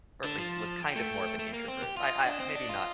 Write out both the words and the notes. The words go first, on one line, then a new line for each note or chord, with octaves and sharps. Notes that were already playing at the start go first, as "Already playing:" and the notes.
or at least was kind of more of an introvert. I I maybe not
D3 A5
F3
G5
A3
A3
A#3
C4
G4
F4 D#5
D4
C4
D4
F4